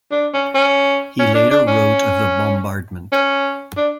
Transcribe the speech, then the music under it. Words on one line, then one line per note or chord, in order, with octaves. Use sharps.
He later wrote of the bombardment.
D4
C#4
C#4
C#4
D4
D4
C#4
C#4
D4